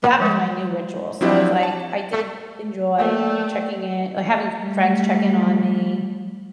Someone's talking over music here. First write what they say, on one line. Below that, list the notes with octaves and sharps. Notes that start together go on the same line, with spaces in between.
that was my new ritual, so it's like, I did enjoy checking in like, having friends check in on me,
F3 G#3
F3 F#3 C4 D4 E4 G4
A5
A3 A#3 D5 G5
G3 A3